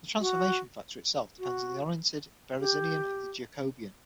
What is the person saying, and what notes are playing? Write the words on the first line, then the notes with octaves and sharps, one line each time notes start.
The transformation factor itself depends on the oriented Berezinian of the Jacobian.
F#4
F#4
G4